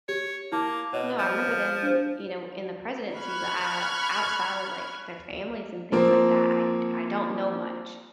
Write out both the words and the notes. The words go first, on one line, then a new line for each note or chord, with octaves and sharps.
know, I remember them, you know, in the presidency, but, uh, outside of, like, their families and things like that, I d I don't know much.
G4 C#5
A#3 E4 A5 D6
B2 C#5 D#5
F3
D4 C5
B5 C#6 F6 F#6 G#6
F3 A#3 C4